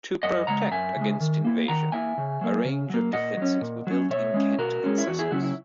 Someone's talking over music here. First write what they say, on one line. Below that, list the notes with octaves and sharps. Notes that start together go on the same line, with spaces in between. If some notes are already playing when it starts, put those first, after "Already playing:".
To protect against invasion, a range of defences were built in Kent and Sussex.
F#2 D#5 F#5
C#3 G#3 F#5 A#5
F#2 E5 G#5
C#3 G#3
D#3
A#3 E4
D#3 F#5 A#5
A#3 E4 E5 G#5
C#3
F#3 A#3
C#3
F#3 A#3
A#2 D#5 F#5
F#3 C#4
A#2
F#3 C#4
B2 C#5 E5
G#3 C#4
B2 F#4 A#4
G#3 C#4
E4
E2 F#4
E4 G#4
C#3 F#3 C#4 E4 F#4
E4